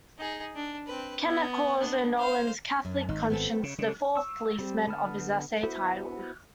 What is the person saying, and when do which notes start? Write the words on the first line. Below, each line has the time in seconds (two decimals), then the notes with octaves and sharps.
Kenner calls O'Nolan's Catholic conscience the "Fourth Policeman" of his essay's title.
0.19 D#4 G#4
0.55 D4
0.87 C4 B4
1.24 B3
1.79 B3 D4
2.18 C5 F5
2.85 F#2
3.09 G#1 D#4
3.30 B3 C4 A4
3.63 C#3
3.79 C#3 G#3
4.16 C#6 E6
4.59 G3 C4
4.87 D3 B3 B4 A5 F6
5.63 B3 E4 F#4 C5 E5